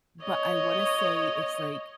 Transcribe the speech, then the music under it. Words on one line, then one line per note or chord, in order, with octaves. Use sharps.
but I wanna say it's, like
C#5 D#5